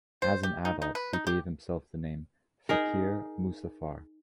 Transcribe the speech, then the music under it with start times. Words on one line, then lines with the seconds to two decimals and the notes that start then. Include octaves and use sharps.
As an adult he gave himself the name "Fakir Musafar".
0.22 C5
0.43 G4
0.65 D#4
0.82 D#4
0.95 B4
1.13 D#4
1.27 G4
2.69 D#4 G#4 A#4